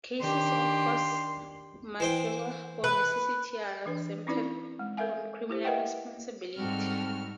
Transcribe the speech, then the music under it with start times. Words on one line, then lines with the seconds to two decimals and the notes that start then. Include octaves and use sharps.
Cases of force majeure or necessity are exempted from criminal responsibility.
0.21 D#3 D4 G4 C6
2.00 E3 C5 G5
2.84 B4
3.86 E3 D4 B4
4.27 C4 C#4 D#4 E4 B4 D5
4.79 G#3
4.97 A4 A#4 E5 F5 G#5
5.50 E4 G4 C5
5.64 A#4 B4 D#5 E5 F#5 G5
6.56 G#2 G3 C4 F#4 A4 F6